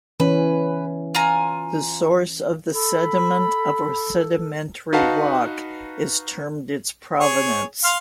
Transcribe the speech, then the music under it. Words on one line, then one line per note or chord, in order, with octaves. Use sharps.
The source of the sediment of a sedimentary rock is termed its provenance.
E3 C#4 B4
F4 G#5 A#5
A4 B5
D#4 F#4 B4 F5 F#5 A5
G#4 C#5
F5 C6 F6